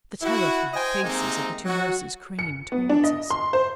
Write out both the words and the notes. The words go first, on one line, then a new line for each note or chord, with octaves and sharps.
The terrified faces of the two nurses craned towards us.
E4 F#4
C5 D#5 G5 G#5
C3 G#3 A#3 C4 D#4
F#3 F#4
C#7
B3
D4
D#5
C6
C5